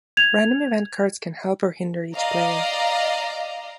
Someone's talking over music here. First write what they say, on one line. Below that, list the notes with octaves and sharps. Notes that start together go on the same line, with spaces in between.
Random event cards can help or hinder each player.
G#6 F7
D5 D#5 F5 A#5